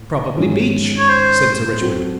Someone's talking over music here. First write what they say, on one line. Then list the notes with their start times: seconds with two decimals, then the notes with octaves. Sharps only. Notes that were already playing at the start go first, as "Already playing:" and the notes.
"Probably beech," said Sir Richmond.
Already playing: A2
0.38 G#2 D#3 G#3 C#4 G#4
0.98 C#5
1.09 C5
1.81 F#3 C4 F#4 A4